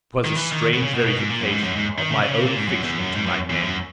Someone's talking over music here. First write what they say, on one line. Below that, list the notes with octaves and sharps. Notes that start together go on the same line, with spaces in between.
'Twas a strange verification of my own fiction to my men.
D#3
E3
D#3
B2
C#3
B2
B2
G#2
A#2
F#2
G#2
F#2
G#2
D#3
C#3
C#3
C#3
A#2
G#2
F#2
E2
F#2
G#2
F#2
E2
F#2